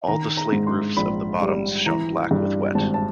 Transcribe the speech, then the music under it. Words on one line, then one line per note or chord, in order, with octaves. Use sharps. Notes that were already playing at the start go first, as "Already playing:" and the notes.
All the slate roofs of the Bottoms shone black with wet.
D#3 A#5
A#5
G#2
C6
A#1 B5
G3
E3 A#5
G2
G#1 A5
A5